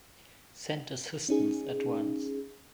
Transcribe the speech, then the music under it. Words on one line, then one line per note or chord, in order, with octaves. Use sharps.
Send assistance at once.
C#4 D#4 G#4